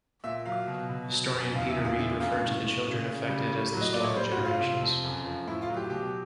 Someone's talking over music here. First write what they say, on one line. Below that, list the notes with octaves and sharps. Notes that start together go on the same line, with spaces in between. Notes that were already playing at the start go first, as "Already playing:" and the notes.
Historian Peter Read referred to the children affected as the "Stolen Generations".
A#2 E5
F#3 F5
B2
B2
F#3
F#2
E2 F5
E5
E2
F5
D3 E5
F#2 F5
F5
A2
A2
C#3
C#3
G3
A2
F#3
D#5
A#2 D5
C#5
G3 C5
F#4
G2
F4
C3
F2
F#2
F3
A2 E4
F4
F#3
G4
B2 G4